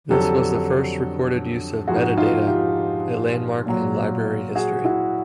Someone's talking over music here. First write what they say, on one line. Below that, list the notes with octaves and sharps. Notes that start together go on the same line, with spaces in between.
This was the first recorded use of metadata, a landmark in library history.
F2 D3 F#3 G4 A4
G#2 F3 F#4 G#4
D#4 F4
F4 G4
A#2 F#3
F#4 G#4
E4 F#4